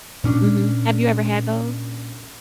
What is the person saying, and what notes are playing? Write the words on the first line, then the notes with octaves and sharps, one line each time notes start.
Mhm, have you ever had those?
A#2 C#4 D4